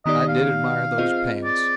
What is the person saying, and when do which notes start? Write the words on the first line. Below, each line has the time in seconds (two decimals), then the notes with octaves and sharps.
I did admire those pants.
0.06 D#3 B3 D#4 G4 D5 D#5
0.28 F5
0.98 C4 F4 G#4 C5 D#5
1.44 D5